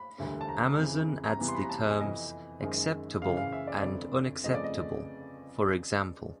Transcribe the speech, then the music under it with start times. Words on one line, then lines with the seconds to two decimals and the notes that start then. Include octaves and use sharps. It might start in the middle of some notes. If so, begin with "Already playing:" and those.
Amazon adds the terms "acceptable" and "unacceptable", for example.
Already playing: B5
0.18 E1 D2 D3 G3
0.41 A5
0.49 A#5
0.79 F2 C#3 E3
1.24 A#5
1.39 E2 C3 E3 G3 B3
1.49 C6
1.55 B5
1.63 A#5
1.70 A5
1.90 G#5
2.00 F2 C3 E3 D#5
2.61 F#1 F#2 D#3 G#3
3.22 F#2 C#3 E3 F5
3.37 F5
3.52 E5
3.67 D5
3.83 G1 F2 D3 D5
4.44 G1 F2 C#3 F3 A3 D#5
4.54 D5
4.64 D#5